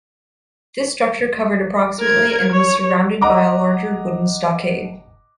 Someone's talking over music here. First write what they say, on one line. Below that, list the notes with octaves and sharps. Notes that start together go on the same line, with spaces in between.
This structure covered approximately and was surrounded by a larger wooden stockade.
A#4 G#6
C#5
D#5 F#5 A#5 D6